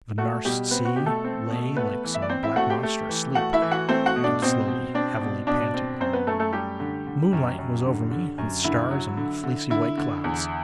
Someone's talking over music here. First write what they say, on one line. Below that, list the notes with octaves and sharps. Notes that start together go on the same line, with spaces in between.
The Nares Sea lay like some black monster asleep, and slowly, heavily panting. Moonlight was over me, with stars and fleecy white clouds.
A3 F#4
B2 G3 G4
B3 C4 B4
F#4
B2 G4
A3 A4
C4
B2
A3 B3 B4
E3
E5
D5
C4 C5
E4 E5
A3 F#4 F#5
G4 G5
A3
E3
A3 F#4 F#5
E4 E5
E3
F#4 F#5
A3 C4 C5
F#4 F#5
B2
D4 D5
B2 C4 C5
B2
C4 D4 D5
B2
B2 D4 D5
C4
F#2 C4 C5
B3 B4
F#2 A3 A4
A3 A4
G3 A3 G4
D3
D3
F#2
F#2
D3
D3
F#2
D3 E4
F#3
D3
D3
D3 E4
D3
E2